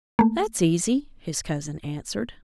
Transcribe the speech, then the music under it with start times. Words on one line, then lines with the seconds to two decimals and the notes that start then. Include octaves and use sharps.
"That's easy," his cousin answered.
0.19 A3 A#3